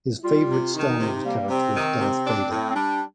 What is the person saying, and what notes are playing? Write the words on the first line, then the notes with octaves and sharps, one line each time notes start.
His favorite Star Wars character is Darth Vader.
G3 F4
C3
D#3 D#4
D4
D#4
C3 D#4
F4
D#4
G3 A#3
C3 C4
D#3
C3
D4
A2
C4
G3 D4